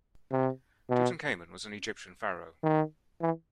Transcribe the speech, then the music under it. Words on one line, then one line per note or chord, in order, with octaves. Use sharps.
Tutankhamen was an Egyptian pharaoh.
C3
B2
D#3
E3